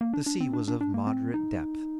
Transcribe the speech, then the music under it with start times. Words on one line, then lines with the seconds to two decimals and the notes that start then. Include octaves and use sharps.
The sea was of moderate depth.
0.01 A#3
0.13 D4
0.26 D4
0.40 C4
0.53 D4
0.68 D4
0.81 D4
0.94 A#3
1.07 C4
1.34 D#4